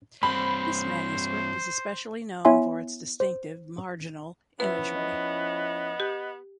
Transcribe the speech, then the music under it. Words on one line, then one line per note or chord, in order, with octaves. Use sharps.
This manuscript is especially known for its distinctive marginal imagery.
G2 C4 C5 B5
B3 E4 C#5 E5 G#5 C6
C5
F3 B3 C#4 E4 B4 E5
D#5
G4